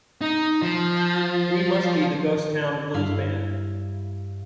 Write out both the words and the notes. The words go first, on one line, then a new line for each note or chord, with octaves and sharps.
We must be the Ghost Town Blues Band.
D#4
F3
G2 E4 F5